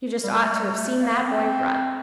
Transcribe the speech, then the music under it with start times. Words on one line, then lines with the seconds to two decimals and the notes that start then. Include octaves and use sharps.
You just ought to have seen that boy run!
0.23 G3
0.33 G3
0.41 A3
0.54 A3
0.59 G3
0.75 A3
1.01 A#3
1.28 C4